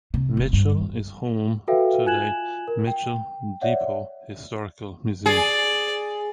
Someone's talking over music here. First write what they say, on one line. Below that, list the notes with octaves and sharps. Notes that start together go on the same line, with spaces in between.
Mitchell is home to the Mitchell Depot Historical Museum.
C3
E1
G2
F#4 A4 B4 E5 F5 G5
F4 G#5 F#6 G#6 E7 F#7
A#4
G5
C#5 D5 E5 F#5
G#4 D5